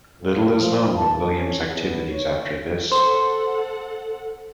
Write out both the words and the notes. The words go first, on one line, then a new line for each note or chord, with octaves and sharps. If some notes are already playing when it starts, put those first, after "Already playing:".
Little is known of William's activities after this.
F2
F3
A5
C#4
E2
C#5
A4 C5 F#5